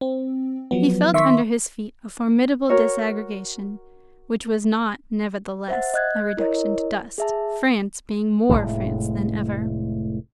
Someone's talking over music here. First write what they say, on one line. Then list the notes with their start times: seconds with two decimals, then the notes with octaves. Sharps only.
He felt under his feet a formidable disaggregation, which was not, nevertheless, a reduction to dust, France being more France than ever.
0.01 C4
0.71 F3 F#3 B3
1.14 D#3 E5 C6 C#6 B6
2.69 F#4 A#4 C#5
5.68 C5 E5 F#5 A6
5.94 D#5 F#6 G#6
6.37 E4 A#4 C#5 D#5
7.18 G#4 E5 A5
8.50 F1 D#2 A2 G#3